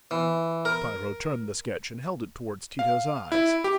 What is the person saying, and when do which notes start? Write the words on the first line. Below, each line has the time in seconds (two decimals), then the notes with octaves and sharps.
Piero turned the sketch, and held it towards Tito's eyes.
0.11 E3
0.65 A#4
2.79 F5
3.32 E4
3.64 G4